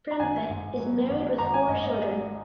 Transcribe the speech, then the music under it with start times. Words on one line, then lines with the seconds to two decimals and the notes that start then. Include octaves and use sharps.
Prempeh is married with four children.
0.11 A#5
0.19 G#1 G#5
0.50 G#2
0.79 F#3
1.10 G#1
1.38 G#1 A#5
1.54 G#5
1.68 G#2 D#5
1.83 D#5